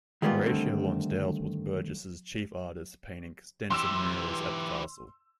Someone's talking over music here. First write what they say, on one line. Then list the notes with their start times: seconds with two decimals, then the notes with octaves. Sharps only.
Horatio Lonsdale was Burges's chief artist, painting extensive murals at the castle.
0.22 D#3 G3 G#3 A#3 B3 F4
0.46 D3 D#3 G3 A3 C4
3.70 E3 G4 C6 E6 E7